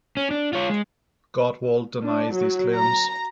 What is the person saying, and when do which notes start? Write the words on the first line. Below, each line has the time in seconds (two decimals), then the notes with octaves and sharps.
Gottwald denies these claims.
0.17 C#4
0.31 D4
0.53 F4 C#5
0.70 G#3
2.04 D4
2.34 F#3
2.75 A#5